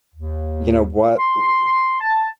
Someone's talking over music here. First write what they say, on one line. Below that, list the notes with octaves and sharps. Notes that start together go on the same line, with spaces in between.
You know, what wh
D#2
C6
A5